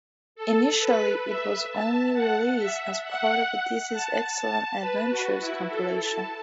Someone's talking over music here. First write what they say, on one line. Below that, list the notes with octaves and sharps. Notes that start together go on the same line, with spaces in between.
Initially it was only released as part of the Dizzy's Excellent Adventures compilation.
A4
B4
E5
A5
F#5
E5
F#5
A5
A5
B4
F#4
E4
A4
A5